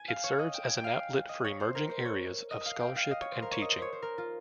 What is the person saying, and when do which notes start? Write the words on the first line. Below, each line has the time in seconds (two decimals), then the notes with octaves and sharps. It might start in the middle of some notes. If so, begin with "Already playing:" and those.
It serves as an outlet for emerging areas of scholarship and teaching.
Already playing: G#5
0.08 F5
0.24 C#5
0.39 D#5
0.54 G5
0.69 G#5
0.77 G5
0.84 F5
1.29 D#5
1.44 C#5
1.60 C5
1.75 A#4
1.90 C5
2.05 C#5
2.51 D#5
2.66 F5
2.81 G5
2.96 F5
3.11 D#5
3.22 C#5
3.32 C5
3.42 A#4
3.52 C#5
3.62 D#5
3.72 C5
3.82 C#5
3.92 C5
4.02 A#4
4.18 F4